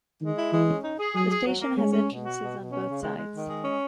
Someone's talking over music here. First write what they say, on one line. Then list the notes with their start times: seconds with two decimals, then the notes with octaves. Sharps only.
The station has entrances on both sides.
0.21 D#3 G#3
0.37 E4
0.52 E3 G#3
0.68 C#4
0.84 D#4
0.99 G#4
1.15 F#3 G#4
1.30 G#4
1.46 F#3
1.62 A#3
1.77 G#3 C#4
1.93 C#4
2.09 B2
2.24 F#4
2.39 B2
2.55 B2
2.71 C#4
2.87 C#3
3.02 G#3
3.18 G#3
3.33 D#3
3.49 G#3
3.65 C#4